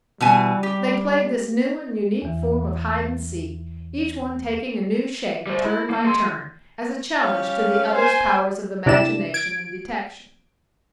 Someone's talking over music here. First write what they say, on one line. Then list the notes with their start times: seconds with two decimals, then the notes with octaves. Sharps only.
They played this new and unique form of hide-and-seek, each one taking a new shape, turn by turn, as a challenge to the other's powers of imagination and detection.
0.21 B2 E3 G3 G#5
0.63 G4
2.22 E2 E3
5.47 G3 C5
5.65 E4
5.90 A#3
6.05 A4 C6
7.21 G3 C#4 F5
7.94 C5 G#5
8.86 C3 D4 E4 D5 E7
9.34 G#6 D7